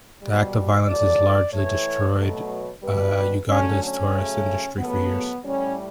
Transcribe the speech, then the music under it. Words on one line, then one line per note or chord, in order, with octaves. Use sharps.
The act of violence largely destroyed Uganda's tourist industry for years.
G3
B2
A2 F#3 A3 D5
A2 E3 A3 C#5
B2 F#3 A3
B2 G3 B4
D3 F#3 A3 C#4
C#4
C#3 F#3 A3
C#3 F#3 A3 B3
A2 G3 C#4